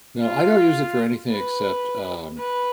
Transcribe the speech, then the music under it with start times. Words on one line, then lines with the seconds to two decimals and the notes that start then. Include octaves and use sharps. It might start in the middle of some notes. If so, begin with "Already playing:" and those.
No, I don't use it for anything except, um,
0.22 F4
1.30 B4
2.39 B4